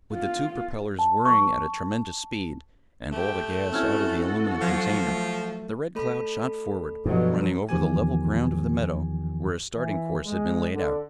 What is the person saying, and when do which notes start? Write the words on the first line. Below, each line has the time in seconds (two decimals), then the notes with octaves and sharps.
With the two propellers whirring at a tremendous speed, and all the gas out of the aluminum container, the Red Cloud shot forward, running over the level ground of the meadow, where a starting course had been laid out.
0.13 F4
0.99 A5
1.25 C#6
3.12 A3 G4 G5
3.72 C4 C#4 E4 F#4 A4 E6 F6 G#6
4.61 F3 F#3 G#6
5.07 A3
5.95 A3 A4 B5
7.05 G2 B2 F3 F#3
7.69 E2 D#3 F3 G4 G#5
9.74 E3
10.25 G#3
10.74 D3